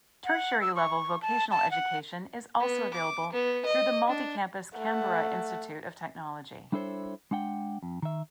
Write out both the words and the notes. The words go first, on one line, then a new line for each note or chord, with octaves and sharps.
Tertiary level vocational education is also available through the multi-campus Canberra Institute of Technology.
F#5
E6
C#6
A5
A5
F#5
B3
D6
B3
D#5
D4
A3 F#5
G3 D4 E4 A4 C5 C#5
G#3 D4 F#5 G5
F2
D#3 E5